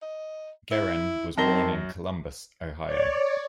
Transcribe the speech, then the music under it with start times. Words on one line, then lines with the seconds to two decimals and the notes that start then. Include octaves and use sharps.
Geren was born in Columbus, Ohio.
0.02 D#5
0.71 E4
1.38 F#2 C4 D#4 A#4 A5 A#6 G7
2.86 C#5 D5